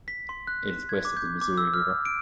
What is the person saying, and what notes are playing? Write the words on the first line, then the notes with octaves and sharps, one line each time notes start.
It is west of the Missouri River.
B6
C6
F#6
G#6
D6
G6
D6
E6
F6
D7